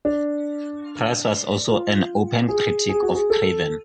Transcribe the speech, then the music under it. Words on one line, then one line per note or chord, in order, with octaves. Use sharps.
Price was also an open critic of Craven.
D4
F4
G#4
G#4
F#4
G#4
A4